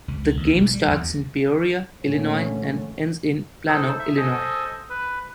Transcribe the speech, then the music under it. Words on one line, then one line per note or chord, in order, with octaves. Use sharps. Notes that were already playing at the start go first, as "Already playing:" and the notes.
The game starts in Peoria, Illinois and ends in Plano, Illinois.
C#2
D#2
B1
G3
E2
D2
A#2 D3 E3 A3 C#4
D#4 A4 C5
E5
A4 C5 D#5 G#5
B4